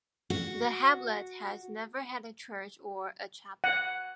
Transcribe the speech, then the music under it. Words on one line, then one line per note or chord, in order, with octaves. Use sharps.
The hamlet has never had a church or a chapel.
F#4
F#5